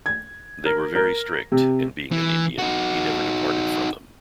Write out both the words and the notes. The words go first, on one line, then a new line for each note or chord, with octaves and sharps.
They were very strict, and being an Indian, he never departed from them.
G#6
A#4
A#4
C3
E3
D#4 F#4